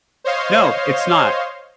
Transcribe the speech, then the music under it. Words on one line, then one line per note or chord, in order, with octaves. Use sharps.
No, it's not.
C5 C#5 D#5 F5 C6